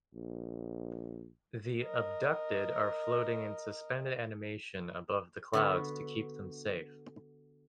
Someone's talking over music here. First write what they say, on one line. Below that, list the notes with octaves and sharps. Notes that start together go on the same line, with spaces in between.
The "abducted" are floating in suspended animation above the clouds to keep them safe.
A#1
A#4 D#5
D3 B3 F#4